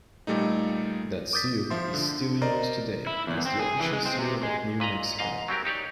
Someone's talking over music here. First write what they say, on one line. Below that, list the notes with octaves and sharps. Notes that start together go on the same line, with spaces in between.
That seal is still in use today as the official seal of New Mexico.
A#2 G3 A3 D#4
D6 D#6 G6 A6 B6
F3 E5 C6
D3
A#4 C5 D5 D#5 A#5
E4
E2
C4
G#4
E3
G#3
C4
C3
G#3
A#2 B4 D#5 A#5
D#2 G#2 D#5 F5
F#3 C4 G4 A#4
D#4 G4 C#5 D5